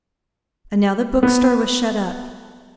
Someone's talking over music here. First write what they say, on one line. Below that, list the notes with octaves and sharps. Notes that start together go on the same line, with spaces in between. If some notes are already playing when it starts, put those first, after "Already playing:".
And now the bookstore was shut up.
B3